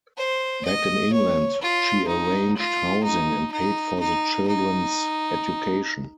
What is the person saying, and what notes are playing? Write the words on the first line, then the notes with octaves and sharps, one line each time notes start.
Back in England she arranged housing and paid for the children's education.
C5
D#5
C#5
F4
D#4
F4
D#4
D#4
D#4
D#4